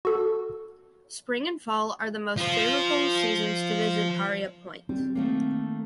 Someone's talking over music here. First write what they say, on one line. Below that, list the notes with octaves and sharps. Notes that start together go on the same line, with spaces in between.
Spring and fall are the most favorable seasons to visit Paria Point.
F#4 A4
F3 C5
G3 C4
D#3 A3 A#3